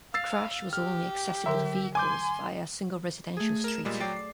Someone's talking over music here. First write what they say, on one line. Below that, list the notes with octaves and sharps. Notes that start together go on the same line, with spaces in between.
The crash was only accessible to vehicles via a single residential street.
F5 E6 A6 C7
G4 F6
D3 F#3 A#4 E5
G#5 C6 D6 G6
A3 G#4
A#4 E7
A#2 G3 G#3
F#3 D5 G5 C7
C7